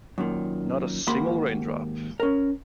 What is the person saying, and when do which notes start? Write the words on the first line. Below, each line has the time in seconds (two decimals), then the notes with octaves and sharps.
Not a single raindrop!
0.18 F#2 A#2 D#3
1.07 D#2 G#2 A#3 F#4 B5 C6
2.20 C#4 A#4